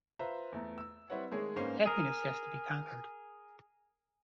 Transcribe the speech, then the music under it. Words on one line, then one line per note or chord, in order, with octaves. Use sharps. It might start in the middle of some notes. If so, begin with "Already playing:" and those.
Happiness has to be conquered.
F4 B4 C5 E5 A#5
E2 A3 A#5
E6
G3 C4 E4 B4 C#5 F#5
D#3 G#3 A3 G#4 C#5
G#2 A#3 B3 C#4 C5 C7
G#4 A#4